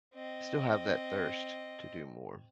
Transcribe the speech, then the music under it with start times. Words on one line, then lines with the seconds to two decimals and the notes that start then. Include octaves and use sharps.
still have that thirst to do more.
0.14 C4 D#5